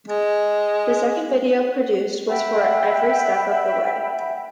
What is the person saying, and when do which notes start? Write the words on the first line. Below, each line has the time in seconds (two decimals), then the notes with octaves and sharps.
The second video produced was for "Every Step of the Way".
0.07 G#3
2.28 E5 F#5 G5 B5